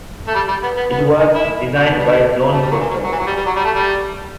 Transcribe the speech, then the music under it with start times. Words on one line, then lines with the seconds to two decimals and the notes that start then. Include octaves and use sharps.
It was designed by John Foster.
0.27 A3
0.35 G3
0.48 G3
0.63 B3
0.77 B3
0.91 B3
1.19 C#4
1.34 E4
1.76 F#4
1.84 A3
1.90 B3
1.98 G3
2.04 A3
2.53 A3
2.61 G3
2.71 F#3
2.80 E3
2.90 F#3
3.04 F#3
3.12 E3
3.18 F#3
3.27 G3
3.37 G3
3.46 F#3
3.56 G3
3.64 A3
3.75 G3